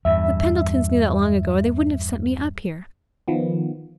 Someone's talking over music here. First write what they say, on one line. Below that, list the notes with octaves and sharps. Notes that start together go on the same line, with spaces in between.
The Pendletons knew that long ago, or they wouldn't have sent me up here.
E2 G2 E5
D#3 F3 B3